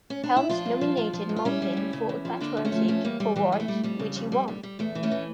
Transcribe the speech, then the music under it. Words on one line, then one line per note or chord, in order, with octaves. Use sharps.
Helms nominated Maupin for a patriotic award, which he won.
C#4
D4
E4
F3 D4 F4
G2
F3
F3
F3
G2
F4
G3 C#4 E4
G3
D2
C#3
E2
F3
D3 A#3 D4
D2
A3 C#4
F3
E2 A3 C#4
E2 G3 A#3
E2 G3
E3 G3
G3
A3
G3
F2 G3
C#3
F2
G3
G3
G3
E2 A3
E3
A3 C#4
E3